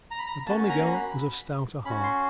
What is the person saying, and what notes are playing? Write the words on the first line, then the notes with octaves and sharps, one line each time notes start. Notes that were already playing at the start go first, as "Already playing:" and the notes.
But Don Miguel was of stouter heart.
A#5
B5
A#5
A#3 C#4 F#4 A5
A#5
B5
C#4 F#4 B5
C6